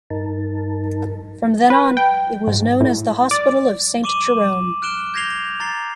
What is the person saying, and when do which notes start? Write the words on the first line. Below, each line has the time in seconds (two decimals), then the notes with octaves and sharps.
From then on it was known as the Hospital of Saint Jerome.
0.10 G2 D#4 A#4 A5
1.70 B4
1.97 G5
2.47 G#2
2.80 A2
3.31 D5
4.04 C#6 D6 D#7 E7 F#7
4.82 F6 F#6 D7 E7 G7
5.14 G6 G#6 A#6 C7 F7 G7
5.60 A#5 A6 C7 G7